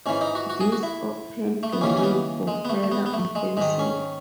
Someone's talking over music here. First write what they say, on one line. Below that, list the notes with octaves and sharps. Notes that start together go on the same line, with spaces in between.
This opened the way for further offensive.
G#2 E3 C#4
D#4
F#4
F#4
G#4
F#4
E4
A3
B3
D#2 C#3 E3 C#4
C#4
B3
G#3
B3
A3
A3
B3
B3
A3
G#3
G#2 D#3 G#3
C#4